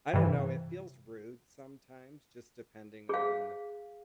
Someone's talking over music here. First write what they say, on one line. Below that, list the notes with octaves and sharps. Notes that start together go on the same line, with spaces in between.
I don't know, it feels rude sometimes, just depending on,
G2 C3 E3
G#4 F5